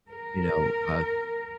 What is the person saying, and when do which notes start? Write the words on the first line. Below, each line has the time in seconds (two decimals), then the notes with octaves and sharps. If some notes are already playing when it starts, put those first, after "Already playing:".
you know, uh
0.10 A#4